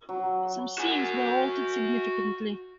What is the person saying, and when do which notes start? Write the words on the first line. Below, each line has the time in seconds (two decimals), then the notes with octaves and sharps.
Some scenes were altered significantly.
0.09 F#3
0.78 F#4 G#5